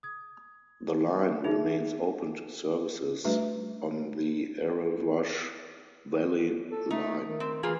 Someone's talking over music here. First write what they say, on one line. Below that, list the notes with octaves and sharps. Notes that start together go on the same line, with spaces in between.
The line remains open to services on the Erewash Valley Line.
D#6 G#6
D#4 F4 G#4 E5 F7
G3 A3 D4 F#4 B4
A4
A3 D#4
D#3
C4
E3 A#3 F4 G#4